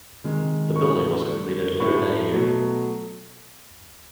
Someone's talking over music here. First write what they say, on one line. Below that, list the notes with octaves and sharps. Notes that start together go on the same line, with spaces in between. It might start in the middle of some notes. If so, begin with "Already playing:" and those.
The building was completed later that year.
C3 D#3 G#3
A2 F#3 A3 C#6
D3 G3
A2 F#3 A3 C#6
B2 F#3 A3